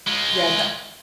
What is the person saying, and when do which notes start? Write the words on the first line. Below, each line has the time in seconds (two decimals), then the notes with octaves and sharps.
Yeah, th
0.07 G#3 F4